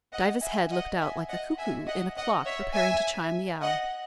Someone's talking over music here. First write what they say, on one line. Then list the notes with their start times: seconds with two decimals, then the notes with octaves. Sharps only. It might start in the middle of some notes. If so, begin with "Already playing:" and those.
Diva's head looked out like a cuckoo in a clock preparing to chime the hour.
0.12 D#5 F#5
0.42 E5 G#5
0.71 D#5 F#5
1.00 E5 G#5
1.29 D#5 F#5
1.58 E5 G#5
1.87 D#5 F#5
2.16 D#5 F#5
2.45 C#5 E5
2.74 E5 G#5
3.61 D#5 F#5